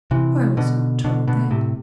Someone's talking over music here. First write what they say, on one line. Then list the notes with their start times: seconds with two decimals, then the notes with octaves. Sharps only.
"I was not told that."
0.11 C3 E3
0.57 B2 D3
1.04 B2 D3
1.28 B2 D3
1.50 A2 C3